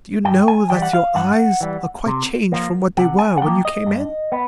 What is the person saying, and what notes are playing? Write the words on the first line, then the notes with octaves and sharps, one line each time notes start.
Do you know that your eyes are quite changed from what they were when you came in?
G2 G5
G#5
E3 G3 G5
F#5
F5
G2 F#5
E3 G3
C3
F3 A#3
C3 F#5
G#5
F#5
F3 A#3 G5
D#5
G2
B3